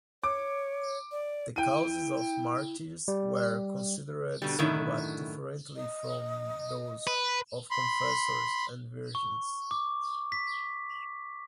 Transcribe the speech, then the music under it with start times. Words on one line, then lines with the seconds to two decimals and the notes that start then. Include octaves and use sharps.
The causes of martyrs were considered somewhat differently from those of confessors and virgins.
0.24 C#5 D6
1.12 D5
1.56 E4 G5 D#7
3.08 G3
4.42 B2 D3 G3
4.59 F#2 A2 D3 D#3 E4
5.75 D#5
7.07 B4
7.71 B5 C6
9.15 C#6
9.71 D6
10.32 B6